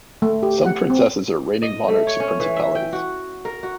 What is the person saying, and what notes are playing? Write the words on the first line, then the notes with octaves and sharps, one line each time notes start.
Some princesses are reigning monarchs of principalities.
A3
G4
F#5
C4
D#5
A3
C#5
C#4
E3
E5
G5
F#4
A#4
F#4